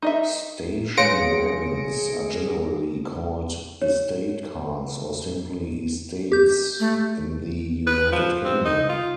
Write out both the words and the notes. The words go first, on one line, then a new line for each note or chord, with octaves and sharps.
Station wagons are generally called "estate cars" or simply "estates" in the United Kingdom.
D#4 D#5 E5
G#4 B4 C#5 F5 C6 A#6 C#7 D7
C#5
G4 G6
A3
B4
F3
C4
D#4
F4